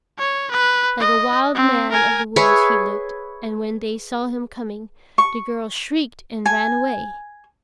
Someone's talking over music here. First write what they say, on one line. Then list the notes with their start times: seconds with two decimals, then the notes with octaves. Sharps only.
Like a wild man of the woods he looked, and when they saw him coming the girls shrieked and ran away.
0.18 C#5
0.51 B4
1.00 D#5
1.55 C4
1.91 A#4 G#5
2.36 G#4 B4 C#5 E5
5.18 C#6
6.46 G#5